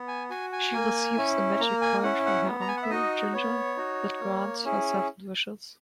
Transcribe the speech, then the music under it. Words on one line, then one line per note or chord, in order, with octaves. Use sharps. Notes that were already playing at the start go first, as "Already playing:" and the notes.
She receives a magic coin from her uncle, Ginger, that grants her seven wishes.
Already playing: B3
G#5
F#4 G#5
G#5
A#3
C#4 E4
A#3 A#5
G#5
C#4 E4 F#5
F#5
B3
A#5
G#5
F#5
E5
D#4 F#4 D#5
B3 C#5
D#4 F#4
A#3
C#4 E4 G#4